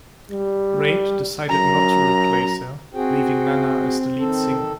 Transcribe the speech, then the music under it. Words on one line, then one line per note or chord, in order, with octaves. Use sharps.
Braid decided not to replace her, leaving Nanna as the lead singer.
G3
F#2 A#5
C4 F#4 G#4 G5
D#3 A4